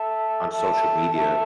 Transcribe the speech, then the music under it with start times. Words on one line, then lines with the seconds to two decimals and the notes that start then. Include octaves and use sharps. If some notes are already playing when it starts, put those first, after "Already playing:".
on social media,
Already playing: A4 E5 A5
0.50 A4 E5 A5
1.11 A4 E5 A5